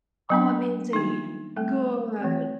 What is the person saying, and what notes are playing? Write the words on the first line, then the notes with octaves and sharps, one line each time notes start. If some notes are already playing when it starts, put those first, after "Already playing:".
Oh, amazing. Good.
F#3 B3 D4
D#3 G3 A#3 D4 D#4
G3 A3 C4 A4
E3 A3 C4